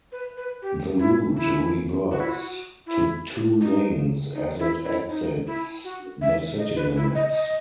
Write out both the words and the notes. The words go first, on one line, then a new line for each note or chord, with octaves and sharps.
The route reverts to two lanes as it exits the city limits.
B4
B4
G4
E4
E4
F#4
E4
F#4
E4
D#4
D#4
E4
E4
D#4
E4
F#4
E5
D#5
B4
E4
D#5
D#5